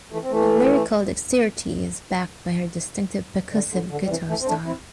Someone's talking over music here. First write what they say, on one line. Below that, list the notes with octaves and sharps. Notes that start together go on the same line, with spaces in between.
Her lyrical dexterity is backed by her distinctive percussive guitar style.
E3 A3
C4
E3 A3
D3 G3
D3
D3
G3
C3 E3
E3 A3
C4
A3 D4
C4 E4